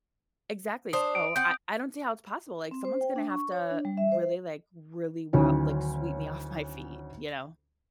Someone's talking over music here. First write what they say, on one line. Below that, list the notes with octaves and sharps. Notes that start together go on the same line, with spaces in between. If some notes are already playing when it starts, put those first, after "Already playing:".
Exactly, so I I don't see how it's possible, like someone's gonna have to really like, really wo like sweep me off my feet, you know?
D4 C5 D#6
D7
C4 F#5 G6
C4
C5
G5
D4
C#6
C#5
D4
G3
E5
C5
D2 D#3 F#3 C#4 E4